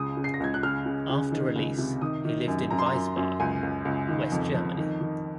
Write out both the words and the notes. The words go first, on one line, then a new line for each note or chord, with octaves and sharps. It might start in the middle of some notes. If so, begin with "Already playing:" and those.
After release he lived in Wiesbaden, West Germany.
Already playing: C#2 C#3 D#6
C#3
C7
A#6
C#2 G#6
F#6
C#3 F6
C#3
C#3
D#3
C#2
C3
D#3 D#6
D#3
F#2
F#2 A#5
C6
A#5
F#2
F#2
C#2 G#5
C#2
C#2
D#3
F2
F2
D#3
D#3